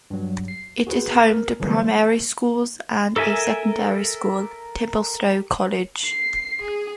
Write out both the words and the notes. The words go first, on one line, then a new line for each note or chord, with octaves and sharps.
It is home to primary schools and a secondary school; Templestowe College.
G2 F#3
C7
F#4 G#4 B4 C5
A#4
D3 E3 F#3 G3 A#3 B3
C5
A4 A#4 E5 G#5
C7
G#4